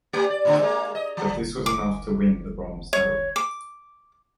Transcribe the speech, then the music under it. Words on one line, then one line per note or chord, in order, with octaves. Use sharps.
But this was enough to win the bronze medal.
A3 G4
D5
A2 D3 C4
G#3 A#3
D#5
F3
D6
C#5
D6